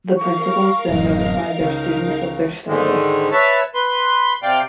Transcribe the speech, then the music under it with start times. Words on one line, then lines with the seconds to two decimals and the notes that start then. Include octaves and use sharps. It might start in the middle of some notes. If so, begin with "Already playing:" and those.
The principals then notify their students of their status.
0.16 A#4 F5 C#6
0.89 D1 F#2 D#5
1.60 C#2 D#4
2.67 G#2 D3 D#3 G#3
3.32 B4 C#5 E5 A5
3.74 B4 C6
4.43 C3 D5 F5 G5